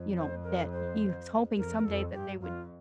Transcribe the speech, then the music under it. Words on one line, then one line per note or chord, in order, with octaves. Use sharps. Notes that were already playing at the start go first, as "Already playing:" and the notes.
you know, that he was hoping someday that they would
Already playing: F2
C5
A#4
C5
F2 A#4
A#4
F2 A4
G2 G4
F2 F4